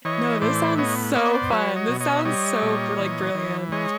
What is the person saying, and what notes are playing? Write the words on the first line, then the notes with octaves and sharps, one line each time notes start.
No, this sounds so fun. This sounds so brilli brilliant.
E3 C#5 D#5
A2 C5 D5
B3 C#5 D#5
B3 C#5 D#5
C5 D5
F#3 B4 C#5
C#5 D#5
B2
C#5 D#5
E5
G3 C#5 D#5
A#2
E3
E3
G#3 C#5 D#5